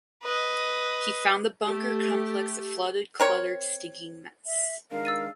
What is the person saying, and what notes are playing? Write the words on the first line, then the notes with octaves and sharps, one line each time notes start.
He found the bunker complex a flooded, cluttered, stinking mess.
B4 D#5
A3 G4
C4 A#4 C#5
E5
D#3 G#3 D4 A#4 F5
E6 A6 D#7